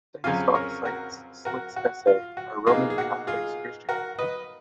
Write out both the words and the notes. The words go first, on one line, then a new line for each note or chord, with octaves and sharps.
Sengstock cites Slick's essay Are Roman Catholics Christian?
F2 C#3 F#3 C#4 F4 F5 G#5
A#4 C#5
F#4 A#4
F#4 A#4
F#4
F4
F#4
B2 A#3 D#4 F4 G#4
G#4
F#4
F4 G#4
F#4 A#4
B4 D#5